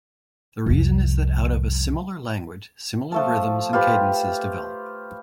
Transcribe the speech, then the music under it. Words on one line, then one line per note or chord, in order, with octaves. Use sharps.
The reason is that out of a similar language, similar rhythms and cadences develop.
C2 F2
F3 A3 A5
F4 G4 B4 C5